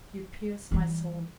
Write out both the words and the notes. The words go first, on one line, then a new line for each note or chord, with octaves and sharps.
You pierce my soul.
E3 G3